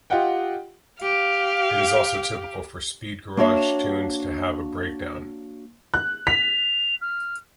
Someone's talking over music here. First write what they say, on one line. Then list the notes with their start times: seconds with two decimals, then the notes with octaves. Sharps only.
It is also typical for speed garage tunes to have a breakdown.
0.10 F4 G4 D#5 F#5 G5
1.02 G4 F5
3.37 A#3 D4 F#4 C#5 E5 F5
5.94 F#6
6.27 B6 F7
7.01 F6